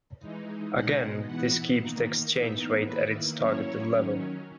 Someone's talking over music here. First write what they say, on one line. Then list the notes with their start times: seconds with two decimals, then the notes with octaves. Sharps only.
Again, this keeps the exchange rate at its targeted level.
0.20 E3 G#3 D#4
0.73 B2 G#3 D#4 F#5
1.26 E3 B3 E4 F#5
1.79 D#3 A#3 D#4
2.32 E3 B3 D#4 E5
2.85 D#3 A#3 E4 B4
3.38 F#3 A#3 C#4 E4 C#5
3.91 D#3 F#3 C#4